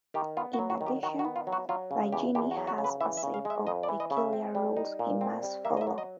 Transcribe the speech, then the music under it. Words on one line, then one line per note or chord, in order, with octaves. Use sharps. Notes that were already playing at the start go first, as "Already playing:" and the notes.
In addition, the Jinni has a set of peculiar rules he must follow.
D#3 G4
B3 F4
F#4
F#3
F#4
D#3
G4
D#3 F#4
F#4
B3
F4
F#3
F#4
F#3 F4
C#3
E2 G4
E2 G4
F#4
F#3
F#4
C#3
B4
E3 E5
E5
C#3
F5
G#3
E5
F2 D#5
D5
E3
D#5
C#3
E5
C4
G3
D#4
A#2
C4
G3
A#3 E5
D#5
E5
F#3
D#5